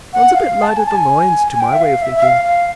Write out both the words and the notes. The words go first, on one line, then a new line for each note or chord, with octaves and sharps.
"Runs a bit light at the loins, to my way of thinking'."
F#5
F5
F5
A5
G#5
A5
G#5
G#5
G5
E5
F5
E5
E5
F5
F5